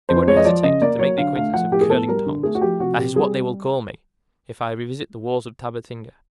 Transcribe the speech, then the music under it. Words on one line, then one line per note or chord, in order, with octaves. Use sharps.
They won't hesitate to make the acquaintance of 'curling tongs'--that is what they will call me--if I revisit the walls of Tabatinga!
F2 C5
G#3 C#5
D#5
F3 D5
C#3 D#5
A#3 D5
F#3 C#5
D3 F5
A3 F5
F3 F#5
A2 G4
G#4
B3 A4
G3 A#4
D3
A3 G#4
F#4
F3 G4
C3 F#4
C4 G4
G3 G#4